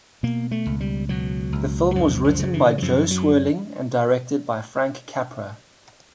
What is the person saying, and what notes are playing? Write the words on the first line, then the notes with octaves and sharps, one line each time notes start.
The film was written by Jo Swerling and directed by Frank Capra.
B2 A#3
A3
C#2
G3
B2 F#3
C#2
E3
F#2 F3
F3
C#3
E3
F#3
F#2 F3
F#3